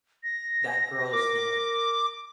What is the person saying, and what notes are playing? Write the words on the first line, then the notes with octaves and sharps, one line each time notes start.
that grows, then
A#6
A#4 D6